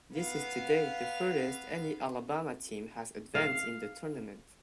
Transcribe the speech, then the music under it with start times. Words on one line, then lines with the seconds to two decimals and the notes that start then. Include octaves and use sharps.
This is to date the furthest any Alabama team has advanced in the tournament.
0.15 B3 F5
3.35 F5